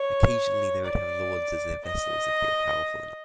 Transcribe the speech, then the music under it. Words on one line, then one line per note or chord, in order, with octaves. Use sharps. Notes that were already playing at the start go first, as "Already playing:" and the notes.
Occasionally they would have lords as their vassals if they were powerful enough.
Already playing: C#5
D5
D#5